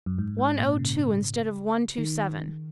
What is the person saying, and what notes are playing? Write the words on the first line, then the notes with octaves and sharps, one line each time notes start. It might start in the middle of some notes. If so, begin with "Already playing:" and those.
One O Two instead of One Two Seven.
F#2
G#2
G#2
A#2
C#3
D#3